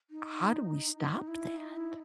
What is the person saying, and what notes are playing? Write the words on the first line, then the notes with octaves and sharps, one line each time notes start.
How do we stop that?
D#4
D#4
E4
D#4
E4